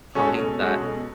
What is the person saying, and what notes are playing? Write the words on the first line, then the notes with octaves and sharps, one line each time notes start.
find that,
G#3 C#4 F#4 A4
B2
G#3 C#4 F#4 A4
B2